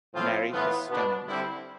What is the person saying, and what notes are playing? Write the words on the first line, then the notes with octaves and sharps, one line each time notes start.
Mary is stunning.
A2 F3 C4 F4
A2 E3 B3 F4
B2 B3 D4
D3 G3 C4 E4